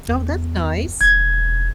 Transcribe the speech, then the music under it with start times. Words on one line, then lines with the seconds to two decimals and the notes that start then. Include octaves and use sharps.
Oh, that's nice.
0.08 E2
1.01 E1 G#6